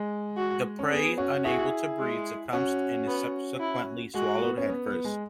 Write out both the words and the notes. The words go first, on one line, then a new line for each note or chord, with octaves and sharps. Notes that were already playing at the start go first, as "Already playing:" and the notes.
The prey, unable to breathe, succumbs and is subsequently swallowed head first.
Already playing: G#3
F#4
C#4
B3 G#4
C#4 F#4
E4 F#4 G#4
G#3
C#4 F#4
B3
E4
G#3 F#4
B3
C#4
B3
B3
G#3